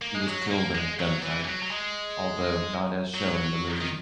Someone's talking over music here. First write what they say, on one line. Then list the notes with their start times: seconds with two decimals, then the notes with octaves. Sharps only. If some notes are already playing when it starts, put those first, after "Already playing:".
He was killed in a gunfight, although not as shown in the movie.
0.02 A#3
0.15 G#3
0.27 F#3
0.51 A#3
0.75 G#3
1.00 F#3
1.23 E3
1.48 F#3
1.62 F#3
1.71 G#3
3.14 F#3
3.81 D#3